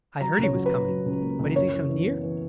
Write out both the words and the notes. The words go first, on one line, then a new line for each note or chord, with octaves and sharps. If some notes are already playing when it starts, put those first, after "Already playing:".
"I heard he was coming, but is he so near?"
F#3 A#5
C#2
C#5
F#3
B4
F#3
F#3
C#2
A#3
C#2
F#2 C#5
E3
E3
B3
E3